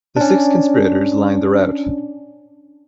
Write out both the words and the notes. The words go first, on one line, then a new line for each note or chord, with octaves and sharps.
The six conspirators lined the route.
C#4 D4